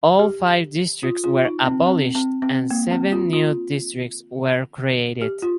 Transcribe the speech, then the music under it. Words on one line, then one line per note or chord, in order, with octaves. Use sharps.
All five districts were abolished, and seven "new" districts were created.
G4
F4
F4
D#4
C4
C4
C4
C4
A#3
C4
F4
F4
G4
F4